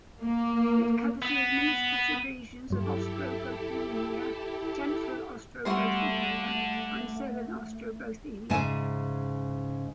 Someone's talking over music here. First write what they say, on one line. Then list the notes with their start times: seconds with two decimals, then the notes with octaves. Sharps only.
It covers the administrative regions of Ostrobothnia, Central Ostrobothnia and Southern Ostrobothnia.
0.21 A#3
1.22 B3
2.70 G2 F#3 E4 G4 A4
5.65 D3 G3 A3 B3 E4 F#4 C6
8.50 G#2 C#3 D5 E5 G#5